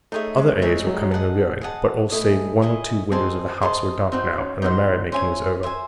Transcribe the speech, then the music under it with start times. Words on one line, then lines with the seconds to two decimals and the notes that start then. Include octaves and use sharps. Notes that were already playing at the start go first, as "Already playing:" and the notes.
Other aides were coming or going, but all save one or two windows of the house were dark now, and the merrymaking was over.
0.12 A3 D#4 G#4 C#5 E5
0.37 G#3
0.57 A3
0.62 G#3 D#4 G#4 C#5 E5
0.87 F#3
0.95 G#3
1.02 F#3
1.11 G#4 D#5 F#5 A5
1.61 G#4 D#5 F#5 A5
2.12 A3 E4 G#4 D#5 G#5
2.62 E4 G#4 D#5 G#5
3.12 C4 G#4 C5 D#5 A5
3.62 G#4 C5 D#5 A5
4.12 C4 D#4 F#4 C5
4.37 C#4
4.62 C4 D#4 F#4 C5
5.12 C#4 C5 E5 G#5
5.63 C5 E5 G#5